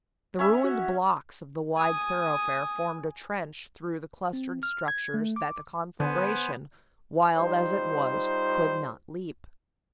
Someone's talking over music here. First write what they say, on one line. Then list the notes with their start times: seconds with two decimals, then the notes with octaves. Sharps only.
The ruined blocks of the wide thoroughfare formed a trench through the clustered structures that the conflagration, wild as it was, could not leap.
0.39 C#4 C#5 E5
0.64 F#4
1.77 G#5 D#6
4.33 C4
4.63 F6
4.88 G#6
5.14 A3
5.36 D6
6.00 D3 B3 B4 C5 G#5
7.37 G3 D#4 F4 C5